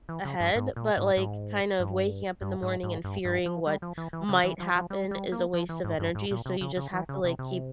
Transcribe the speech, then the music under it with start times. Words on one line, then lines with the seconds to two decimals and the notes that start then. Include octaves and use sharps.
ahead, but, like, kind of waking up in the morning, and fearing what might happen is a waste of energy, so you just have to, like, keep
0.09 E3
0.25 C#3
0.40 G2
0.55 G#2
0.76 A#2
0.97 G#2
1.17 G#2
1.80 G2
2.42 G2
2.62 G#2
2.83 G#2
3.04 G2
3.25 G2
3.46 F3
3.67 G3
3.82 F3
3.98 E3
4.13 E3
4.29 C#3
4.44 E3
4.60 F3
4.76 F3
4.90 G3
5.11 G3
5.32 A#3
5.54 F3
5.69 E3
5.84 G#2
5.99 G2
6.15 G#2
6.31 A#2
6.46 C3
6.61 C#3
6.77 C#3
6.93 E3
7.09 C#3
7.24 C3
7.39 C3